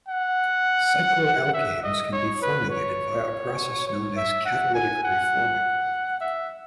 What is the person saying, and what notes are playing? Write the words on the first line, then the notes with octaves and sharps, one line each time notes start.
Cycloalkanes can be formulated via a process known as catalytic reforming.
F#5
E5
D#5
C#5
B4
C#5
C#5
E5
F#5
G#5
F#5
E5